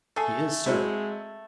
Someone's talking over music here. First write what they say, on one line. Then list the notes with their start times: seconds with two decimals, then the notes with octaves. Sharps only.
"He is so."
0.16 A3 G#4 A4
0.66 F#3 G#3 C4 E4